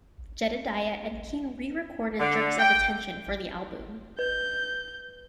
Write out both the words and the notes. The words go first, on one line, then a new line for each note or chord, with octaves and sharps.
Jedediah and King re-recorded "Jerks of Attention" for the album.
D3
G5
B4 G6